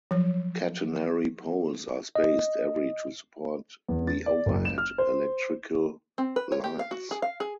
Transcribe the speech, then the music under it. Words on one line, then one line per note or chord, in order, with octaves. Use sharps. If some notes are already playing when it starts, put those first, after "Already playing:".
Catenary poles are spaced every to support the overhead electrical lines.
F3 F#3 C#5
D#5
E2
A6
D5
F#1
E7
F6
C5
C4
B4
C#5
G4
F5
F#4
G#4
F5
G#4